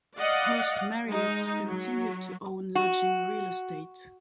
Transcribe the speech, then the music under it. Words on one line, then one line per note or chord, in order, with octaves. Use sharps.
Host Marriott continued to own lodging real estate.
D5 D#5 F5 F#5
G#3 D#4
F#3
F#4